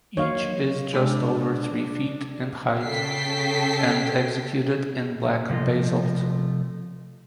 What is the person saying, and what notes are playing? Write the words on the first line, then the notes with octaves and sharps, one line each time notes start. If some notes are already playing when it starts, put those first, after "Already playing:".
Each is just over three feet in height and executed in black basalt.
F#3 A#3 C#5 D#5 F5
C3 G#3 B3 D4 G#4 D5 D6
C#3 A4 G5 B6 C7
C3 F3 A3 F4 D#5